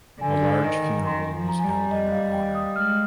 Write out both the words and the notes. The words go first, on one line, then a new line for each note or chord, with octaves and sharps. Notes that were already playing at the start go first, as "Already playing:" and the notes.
A large funeral was held in her honor.
D3 G#5
D#3
A#5
D#3 C6
F3
A#5
G3 G#5
A#5
D#5
D#5
F5
G5
D#6
G#3 F6